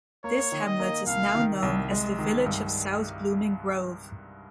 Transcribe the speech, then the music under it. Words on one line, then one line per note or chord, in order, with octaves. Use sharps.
This hamlet is now known as the Village of South Blooming Grove.
A#3 C#5
D#3
D#5
A#3
C2 F5
D#3
C2
G#3
D#3
G2